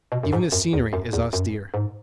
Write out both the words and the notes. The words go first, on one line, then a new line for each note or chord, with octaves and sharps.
Even the scenery is austere.
B2
F#2
G#2
F#2
E2
F#2
E2
F#2
G#2